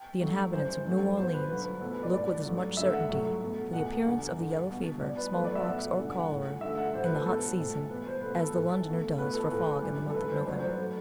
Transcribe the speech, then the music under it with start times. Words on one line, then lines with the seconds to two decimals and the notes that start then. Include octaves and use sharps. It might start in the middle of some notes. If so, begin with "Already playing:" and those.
The inhabitants of New Orleans look with as much certainty for the appearance of the yellow-fever, small-pox, or cholera, in the hot season, as the Londoner does for fog in the month of November.
Already playing: G5
0.21 G2 F#3 A3
0.53 F#2 E3 G3 C5
0.85 G2 F#3 A3
1.17 B2 G3 C5
1.33 B4
1.49 G2 D3 F#3 B4
1.80 E2 B2 A3 A4
1.91 B4
2.03 D5
2.14 A2 G3 D5
2.45 G2 F#3 A3
2.77 G2 D3 A3 E5
2.93 F#5
3.09 A2 F#3 A3
3.41 B2 A3
3.73 E2 B2 A3 F#5
4.06 E2 D3 G3
4.37 G2 D3 G3
4.70 B2 G3
5.01 B2 G3 D5
5.17 B4
5.33 B2 F#3 A3 B4
5.44 D5
5.55 E5
5.66 B2 A3 F#5
5.97 E2 D3 G3
6.19 F#5
6.30 A2 E3 A3
6.61 G2 D3 A3 E5
6.77 F#5
6.94 A2 E3 G3 C5
7.05 B4
7.15 A4
7.25 B2 G3 A4
7.58 A2 E3 A3
7.90 B2 G3 B4
8.06 C5
8.21 B2 A3 B4
8.38 A4
8.54 A2 E3 A3
8.86 B2 A3
9.18 B2 A3 B4
9.34 A4
9.50 A2 E3 A3 B4
9.82 F#2 E3 G3
10.10 A4
10.14 F#2 E3 A3 B4
10.30 C5
10.41 C5
10.46 G2 F#3 A3 D5
10.57 C5
10.68 B4
10.78 F#3 A3